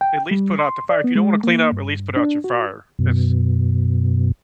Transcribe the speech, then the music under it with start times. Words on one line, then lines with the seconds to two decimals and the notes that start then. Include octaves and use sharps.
at least put out the fire? If you don't wanna clean up, at least put out your fire. It's
0.01 G5
0.31 G3
0.59 C6
0.89 D5
1.04 B3
1.15 G#3
1.44 A#3
1.72 G2
2.17 D4
2.44 F#4
2.99 F#2 B2